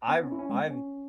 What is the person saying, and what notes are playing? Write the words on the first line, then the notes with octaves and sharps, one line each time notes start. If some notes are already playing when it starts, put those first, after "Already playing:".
I ru I've
B3
C#4
E4
C#4
G#3
B3
C#4